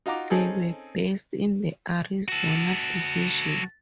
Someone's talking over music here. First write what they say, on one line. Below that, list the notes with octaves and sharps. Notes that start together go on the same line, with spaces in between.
They were based in the Arizona Division.
D#4 F4 F#4 A#5 D6
C4 C#4 D#4 G#4 A4
F#4 A4